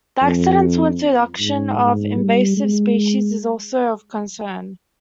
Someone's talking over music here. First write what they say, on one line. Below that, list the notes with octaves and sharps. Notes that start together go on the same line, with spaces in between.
The accidental introduction of invasive species is also of concern.
F2
G#2
G#2
G3
G#3